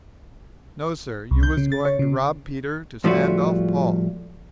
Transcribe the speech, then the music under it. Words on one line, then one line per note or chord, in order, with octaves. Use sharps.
No, sir; you was going to rob Peter to stand off Paul.
C2
G6
C#3
A6
C#5
C#3
A2 F3 G3 A3 F4 F#4